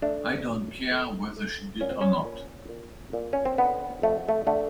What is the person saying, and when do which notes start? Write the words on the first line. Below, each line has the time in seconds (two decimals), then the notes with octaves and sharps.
I don't care whether she did or not.
0.02 A3 D4
0.48 F#3
0.91 A3
1.36 A3
1.81 A#2 C#4
1.90 C4
2.01 C#4
2.25 A#2
2.69 A#2
3.13 A#2
3.33 C#4
3.45 C4
3.58 D3 B3
4.02 F2 A3
4.29 A3
4.47 D3 A3